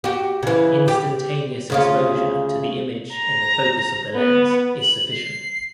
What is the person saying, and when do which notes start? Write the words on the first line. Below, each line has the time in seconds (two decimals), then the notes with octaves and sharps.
Instantaneous exposure to the image in the focus of the lens is sufficient.
0.04 F#4 G4
0.43 C#3 E3
0.88 G4
1.70 D2 C#3 F4
3.14 A#5
4.15 B3
4.81 F#7
5.12 C7